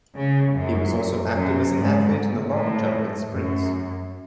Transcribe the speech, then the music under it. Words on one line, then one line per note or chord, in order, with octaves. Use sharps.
He was also active as an athlete in the long jump and sprints.
C#3
F#2
F#2
G#2
A2
F#2